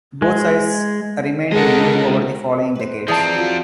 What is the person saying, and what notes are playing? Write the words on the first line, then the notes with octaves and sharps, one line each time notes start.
Both sites remained in use over the following decades.
G#3
C#2 G#3 A4 A#4 D#5 F#5
B4 C5
E3 F3 C4 G#4 A#4 D5 A5 A#5
F#3 F4